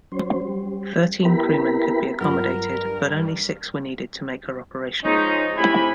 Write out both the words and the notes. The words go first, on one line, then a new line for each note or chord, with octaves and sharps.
Thirteen crewmen could be accommodated, but only six were needed to make her operational.
F#3 C#4 C5
G3
B3 E4 G4 A#4 B5
G2 F#3 F4 A#4 B5
F3 G#3 C#4 D#4
A2 C3 E4 G#5 B5